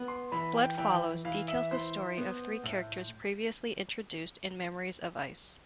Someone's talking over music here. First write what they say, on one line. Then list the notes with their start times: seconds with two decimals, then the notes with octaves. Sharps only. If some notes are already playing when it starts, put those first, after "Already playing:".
"Blood Follows" details the story of three characters previously introduced in "Memories of Ice".
Already playing: B3
0.08 C6
0.32 E3 B5
0.55 G5
0.78 E3 G5
1.25 E3 F5
1.48 E5
1.71 E4 C5
2.18 B3
2.64 A2